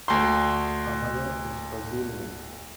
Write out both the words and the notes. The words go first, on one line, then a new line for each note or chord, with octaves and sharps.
Her mother is Brazilian.
D2 C6